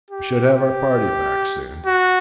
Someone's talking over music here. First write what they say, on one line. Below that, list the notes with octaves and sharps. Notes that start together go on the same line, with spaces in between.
We should have our party back soon.
G4
G4
F#4